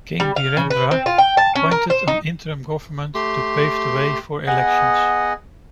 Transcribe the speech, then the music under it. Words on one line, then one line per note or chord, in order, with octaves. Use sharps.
King Birendra appointed an interim government to pave the way for elections.
G3
F5
C#3
B4
C4
F4
G5
A5
C#4
A#4
C5
D#4
A3 G4 C6
B3 G#4 D#5 F#5